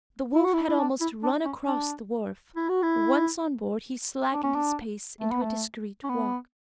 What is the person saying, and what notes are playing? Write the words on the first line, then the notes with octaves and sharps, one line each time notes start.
The wolf had almost run across the wharf; once on board, he slackened his pace into a discreet walk.
E4
F#4
E4
E4
D4
E4
D4
C#4
D4
E4
F#4
E4
D4
C#4
D4
A3
B3
A3
C#4
B3